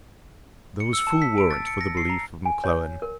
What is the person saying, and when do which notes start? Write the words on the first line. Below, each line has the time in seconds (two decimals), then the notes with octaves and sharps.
There was full warrant for the belief of McClellan.
0.80 C#7
0.93 E6
1.07 A5
1.22 B6
1.38 D7
1.51 A6
1.67 C#7
1.81 A#6
1.97 C7
2.10 A#5
2.45 G#5
2.64 C#5
3.02 A#4